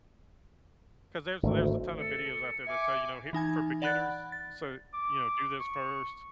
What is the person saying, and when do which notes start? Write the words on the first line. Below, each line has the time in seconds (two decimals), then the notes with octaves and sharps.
'Cause there's there's a ton of videos out there that say, you know, "Here" for beginners, so, you know, "Do this first."
1.43 G#1 D2 A3
1.99 A4 C#7
2.67 E5 G#5 D6
3.33 E3 D#4 G#5 G#6
3.82 D5 F#5 B5 F#6 A6
4.32 A6
4.94 D6
5.60 C#6